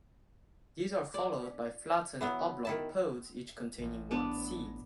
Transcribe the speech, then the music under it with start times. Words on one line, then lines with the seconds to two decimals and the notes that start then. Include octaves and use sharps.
These are followed by flattened oblong pods each containing one seed.
1.14 D5
2.21 E3 F#3 B3
2.65 D#3 E4 A5
3.79 A1
4.11 B3 D4